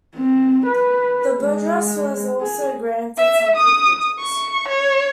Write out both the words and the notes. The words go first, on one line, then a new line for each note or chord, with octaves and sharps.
The burgesses were also granted some privileges.
C4
B4
G#3
G#4
E5
D#6
C#6
C#5